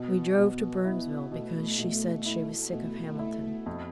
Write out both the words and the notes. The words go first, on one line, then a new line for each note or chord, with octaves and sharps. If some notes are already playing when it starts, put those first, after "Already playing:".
We drove to Burnsville because she said she was sick of Hamilton.
Already playing: B2 B3
B2
B3 E4
B2 A3
B2 A3
E4
B2
E4
F2